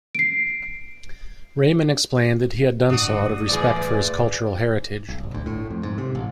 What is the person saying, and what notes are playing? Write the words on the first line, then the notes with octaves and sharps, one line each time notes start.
Rahmon explained that he had done so out of respect for his cultural heritage.
C7 D7
G1 A2 D4 F#4 D#6
A#2 E3 G#4 D5
B1
G1
D2
A2
F2
G#2
C3
A1